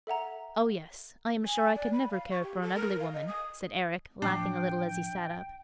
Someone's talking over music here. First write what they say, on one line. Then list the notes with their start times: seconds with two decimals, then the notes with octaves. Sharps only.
"Oh, yes, I am sure I could never care for an ugly woman," said Eric, laughing a little as he sat up.
0.07 A4 E5 F#5 A#5
1.45 G#5
1.75 D5
1.93 B5
2.11 F5
2.31 C#6
2.43 G4
2.62 A4
2.76 A#4
3.00 F5
3.13 D#5
3.27 D#6
4.22 A2 F3 D4 G5